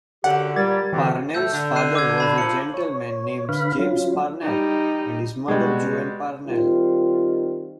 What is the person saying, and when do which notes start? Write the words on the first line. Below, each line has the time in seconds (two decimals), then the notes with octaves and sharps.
Parnell's father was a gentleman named James Parnell, and his mother Joan Parnell.
0.24 F#2 D3 G4 F#5
0.56 A#2 G3 G4 G#6 A6
0.93 D3 E3 C4 F#4 G4
1.34 A2 A3 E6 G6
1.52 D3
1.75 F#6 C7 D#7
1.95 D6 E6 G#6
2.18 A5 B5 G#6
2.38 A#2 F3 C#7 F#7
2.74 C#5
3.49 D3 B4 F5 B5
3.79 F#3 C#4 F4
4.41 G3 D#4
5.48 B2 G3 G#3 F#4
6.47 D#3 G3 C4 F4